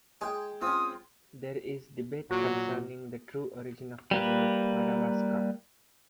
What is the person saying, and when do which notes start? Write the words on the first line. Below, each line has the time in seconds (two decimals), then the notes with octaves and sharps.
There is debate concerning the true origin of the word "Madawaska".
0.21 G#3 G#4 G5
0.62 C4 C#4 F4 D#6
2.31 A#2 F#3 F#4
4.11 G3 A#3 B4